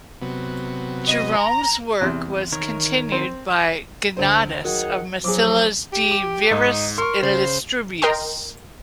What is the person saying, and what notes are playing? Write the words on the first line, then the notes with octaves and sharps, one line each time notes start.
Jerome's work was continued by Gennadius of Massilia's "De Viris Illustribus".
C3 F#3 B3
D#5
A#5
E2 C3
D#3 A#4 C#5
C4
D2 C5
D#3 F#3 G#4 F#5
F3 F#3 G#4 D6
G4
D6
G#2 D#4
A#4 C6 C#6
C#3 C5
A#4 D#5 G5 C6